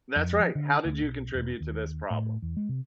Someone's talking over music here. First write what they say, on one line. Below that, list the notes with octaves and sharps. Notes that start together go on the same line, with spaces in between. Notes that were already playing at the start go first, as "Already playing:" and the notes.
That's right. How did you contribute to this problem?
F2
F3
D3
D2
B1
E1
D#2
A2
E2
G#3
C3